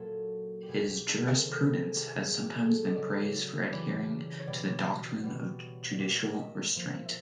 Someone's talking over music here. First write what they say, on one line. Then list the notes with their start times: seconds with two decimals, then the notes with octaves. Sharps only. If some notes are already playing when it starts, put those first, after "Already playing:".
His jurisprudence has sometimes been praised for adhering to the doctrine of judicial restraint.
Already playing: A#2 F#3 A4
0.63 G4
0.68 B2 G3 G#4
0.88 G4
1.07 G#4
1.18 A#4
1.32 A#4
1.44 C3 D#3 G3 A4
1.81 G#4
1.95 G4
2.07 G#4
2.20 A#2 F#3
2.42 G4
2.51 G#4
2.57 A4
2.87 D#5
2.95 C#3 F#3 D5
3.62 C#5
3.71 C#3 E3 G3 D5
4.40 C#5
4.47 B2 G3 D5
5.24 B2 G3
5.99 A#2 G3 D5
6.33 D#5 E5
6.76 A#2 F3
7.06 E5